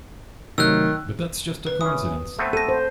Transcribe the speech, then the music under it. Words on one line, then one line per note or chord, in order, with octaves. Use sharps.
But that's just a coincidence!
C3 D#3 F#3 A3 E6 F#6
B4
E3 C#4 D#6
A3 B3 C4
A4 A#6 D#7
C5